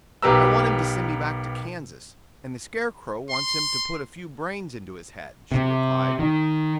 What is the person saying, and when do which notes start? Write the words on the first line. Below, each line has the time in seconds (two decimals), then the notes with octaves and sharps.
"I want him to send me back to Kansas, and the Scarecrow wants him to put a few brains into his head," she replied.
0.22 B1 G4 A#4 B4 A#5 E6
3.30 C6
5.52 C3
6.19 D#3